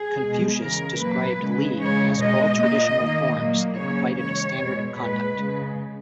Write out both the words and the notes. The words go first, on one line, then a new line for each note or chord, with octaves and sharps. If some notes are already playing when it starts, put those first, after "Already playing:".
Confucius described "Li" as all traditional forms that provided a standard of conduct.
Already playing: G#4
B2 G#3
C#3 E3 G#3 A#4
A#2 F#3 A#3 B4
C#3 E3 G#3
C#3 G#3 C#5
B2 G#3 D#5
A#2 A#3
D#3 A#3
A#2 F#3 A#3
C#3 F#3 A#3 C#5
C#3 E3 G#3 C#5
B2 G#3
A#2 G#3 B4
C#3 G#3